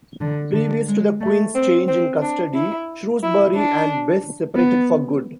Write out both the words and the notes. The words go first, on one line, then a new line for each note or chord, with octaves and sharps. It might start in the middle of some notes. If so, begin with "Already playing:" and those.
Previous to the Queen's change in custody, Shrewsbury and Bess separated for good.
D3
D3
G#3
A3
C4
C4
D4
E4
E4
D4
B3